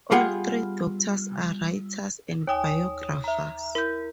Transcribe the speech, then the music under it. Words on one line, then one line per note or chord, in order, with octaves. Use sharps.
All three daughters are writers and biographers.
G3 B3 F4 G#4 F#5 G5
D#2 C#5 G5 G#5 D#6
E5 A#5
E4 A#4 G6